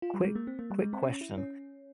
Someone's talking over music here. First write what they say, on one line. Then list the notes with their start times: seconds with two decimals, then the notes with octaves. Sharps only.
quick quick question.
0.02 F4
0.14 G3
0.24 G#3
0.35 A#3
0.47 C4
0.59 A#3
0.70 G3
0.81 G#3
0.93 C4
1.03 C#4
1.21 E4
1.38 C#4